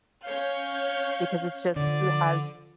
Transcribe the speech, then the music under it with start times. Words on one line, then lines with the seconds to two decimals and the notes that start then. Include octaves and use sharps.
because it's just, "Who has
0.25 C#4 C#5 F5 G6
1.76 D3 F3 D5